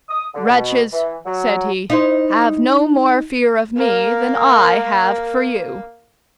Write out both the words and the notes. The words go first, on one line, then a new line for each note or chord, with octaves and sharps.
"Wretches!" said he, "have no more fear of me than I have for you!"
D#6
D3
B2
E3
F#3
D#4 E4 C5
A#3 A#4